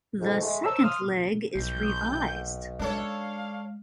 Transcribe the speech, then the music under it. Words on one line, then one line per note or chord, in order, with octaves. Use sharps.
The second leg is revised.
F2 G#2
G#3 A3
C5 C#5 A5 A#5 E6
C6 D#6 F6
B1 G6
G#3 D4 A4 C#5 F5